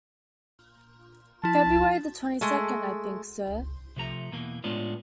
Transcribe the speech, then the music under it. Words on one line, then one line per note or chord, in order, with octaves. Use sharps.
February the twenty-second, I think, sir.
F3 E4 A5
G#3 A3
C3 F3 A3 A#5
E2 B2 E3 A#3
A2 G#3 B3 C#4 D4 F4